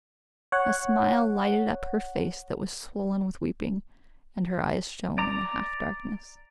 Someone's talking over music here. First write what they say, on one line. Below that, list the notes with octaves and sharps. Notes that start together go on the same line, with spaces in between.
A smile lighted up her face that was swollen with weeping, and her eyes shone in the half darkness.
C#5 F#5
D5 A#5